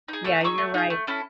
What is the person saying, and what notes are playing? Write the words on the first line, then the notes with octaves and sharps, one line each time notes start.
yeah, you're right.
D#4 G#4
A3 E6
D#4 G#4 C#6 E6
A3
D#4 G#4
A3
C#4 E4 A4